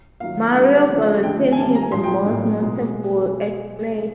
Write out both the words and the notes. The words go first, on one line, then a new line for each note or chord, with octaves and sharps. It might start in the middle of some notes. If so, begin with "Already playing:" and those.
Mario Balotelli is the most notable ex-player.
D#3 F#3 A#3 F5
D3 G3 A#3 F#5
C#3 F3 A3
D3 F3 A3 G5
G#5
D#3 G3 A#3 A5
A#5
G#5
A#2 F3 G#3 C6
G5
A2 F#3 A#3
B2 G#3